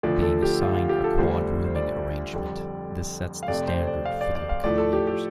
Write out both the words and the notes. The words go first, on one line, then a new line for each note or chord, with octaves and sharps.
Being assigned a quad rooming arrangement, this sets the standard for the upcoming years.
D2 D3 F3 D5
A4
G4
F4
F4
G4
A4
D2 D3 G3 C5
C5
D5
F2 D3 G3
F5
F2 C3 A3 D5
C5
D5
F5
D5
D5
F5
A2 F3 A3 D5
A4
G4
G4